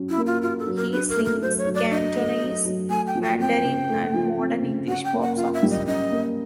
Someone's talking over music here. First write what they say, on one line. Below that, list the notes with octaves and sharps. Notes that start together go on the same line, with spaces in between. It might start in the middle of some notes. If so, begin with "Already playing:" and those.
He sings Cantonese, Mandarin and modern English pop songs.
Already playing: F#3 C#4
E4
A#3
F4
F4 F#4
A4
F#3
A#4
D4 B4
A#4
A3
A#4
F#3 C5
C#5
F#3
D5
D4 D#5
A3
F#3
F#3
A3 G#5
G5
F3
G5
C4 G5
C#3
A3
F3
C4
C#3
C#4 F#5
G5
A#3
F#5
F4 F5
E5
G3
D#5
C#4 D#5
A#3